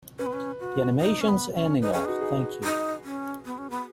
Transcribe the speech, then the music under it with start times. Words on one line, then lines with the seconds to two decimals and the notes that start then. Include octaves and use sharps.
The animation's ending of, Thank you.
0.19 C#4 B4
0.26 B3
0.33 C#4
0.60 F#4
1.01 D#4
1.21 C#4
1.28 B3
1.55 C#4
1.82 D#4 B4
1.93 C#4 G#4
2.05 D#4 F#4
2.21 G#4
2.64 D#4
3.04 C#4
3.45 B3
3.58 C#4
3.70 B3